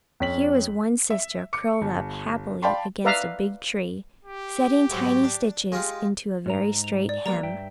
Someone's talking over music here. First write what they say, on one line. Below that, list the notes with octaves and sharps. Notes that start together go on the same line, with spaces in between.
Here was one sister curled up happily against a big tree, setting tiny stitches into a very straight hem.
F2 C#4 B6 F#7
E5
D6 C#7
G1
D5 F5 G5 A5 B5 C6
B4 D5 E5 F5 A#5
G4
G#2 F#3
D4
G#3 F4 G4
G#2 A#5
F7
D5
G3 A#3 B3 D5 A#5
G2 E5 G5